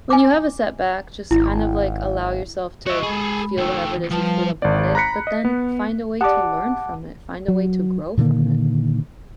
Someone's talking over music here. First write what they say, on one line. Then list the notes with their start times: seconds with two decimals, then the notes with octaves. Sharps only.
when you have a setback, just, kind of, like, allow yourself to feel whatever it is you feel about it, but then find a way to learn from it, find a way to grow from it.
0.10 G#5 D6
1.31 G#1 E4
2.86 F#4 D#5 E5 C#6
3.03 G#3 G#4 A4 B5
3.58 D#3 A3 G5 E6
4.10 F3 G3 B4 A5
4.62 G#1 D5
4.95 A#5 B5 F#6 B6 C#7
5.27 D#5
5.45 B3
6.21 G4 D5 F#5 A5 D6
7.48 F#3
8.18 A#2 D3 D#3 A#3